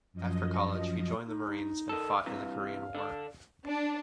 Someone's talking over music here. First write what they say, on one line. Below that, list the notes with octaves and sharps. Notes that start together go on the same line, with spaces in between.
After college he joined the Marines and fought in the Korean War.
F#2 F3 D#5
D#4
D#3 A4
G2 C3 E3 F5
D3 D4
D4